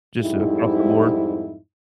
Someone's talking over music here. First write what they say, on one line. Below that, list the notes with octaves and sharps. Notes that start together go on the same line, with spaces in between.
Just across the board?
F2 G#2 G3 D#4 E4